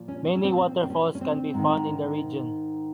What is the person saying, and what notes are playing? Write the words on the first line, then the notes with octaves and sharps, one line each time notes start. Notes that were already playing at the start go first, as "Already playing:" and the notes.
Many waterfalls can be found in the region.
Already playing: A#2 F3
C#4
C4
C#4
C4
C4
C4
C#4
C#4
C4
G#2 D#3